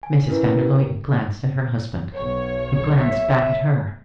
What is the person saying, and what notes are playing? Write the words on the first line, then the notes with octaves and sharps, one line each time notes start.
Mrs. van der Luyden glanced at her husband, who glanced back at her.
G#5
C#4 E4 A#4 B4
G4 A#4
B1 C#5
E5